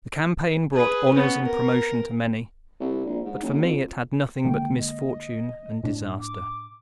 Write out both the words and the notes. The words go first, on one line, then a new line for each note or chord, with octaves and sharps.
The campaign brought honours and promotion to many, but for me it had nothing but misfortune and disaster.
G#4 B4
B3 C#4
A#4
C2
A#1
G#2
F#1
F2
D3 G#3 A#3 G5
D#5
A2 D4
D6